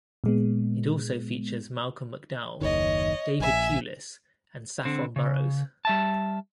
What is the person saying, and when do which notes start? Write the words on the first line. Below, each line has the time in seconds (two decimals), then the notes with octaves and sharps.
It also features Malcolm McDowell, David Thewlis and Saffron Burrows.
0.24 A#2 G#3 B3
2.61 F#1 D#2 D#3 C#5 D#5
3.40 A#1 E5 G#5
4.85 D3 C4
5.16 C#3
5.85 G3 E5 A5